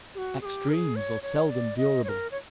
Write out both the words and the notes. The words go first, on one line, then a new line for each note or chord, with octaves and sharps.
Extremes are seldom durable.
G4
F#4
G#4
G4
A#4
G#4
C#5
C#5
D5
D#5
C#5
A#4
C#5